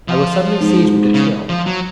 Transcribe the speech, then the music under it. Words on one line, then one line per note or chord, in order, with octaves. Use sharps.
I was suddenly seized with a chill.
F3
G#2
C#3
F3
F#3